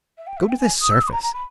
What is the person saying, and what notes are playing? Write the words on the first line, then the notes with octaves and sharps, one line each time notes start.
Go to the surface.
E5
G5
E5
G5
G#5
D#6
E6
D#6
B5
A#5
A#5
B5